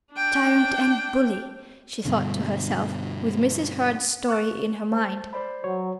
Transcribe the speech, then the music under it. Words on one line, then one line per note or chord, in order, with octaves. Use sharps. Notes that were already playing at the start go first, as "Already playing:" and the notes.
"Tyrant and bully!" she thought to herself with Mrs. Hurd's story in her mind.
D4 G5
G2 B2 D3
C#6 F#6 A6
C5 A5
C5 D5 B5
F#3 C#5